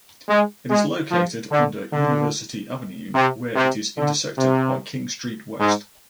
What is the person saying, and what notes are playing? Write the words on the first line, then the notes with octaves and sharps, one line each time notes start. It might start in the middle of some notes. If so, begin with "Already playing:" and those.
It is located under University Avenue where it is intersected by King Street West.
G#3
G#3
F3
D3
D3
C3
C3
D3
C3
G#2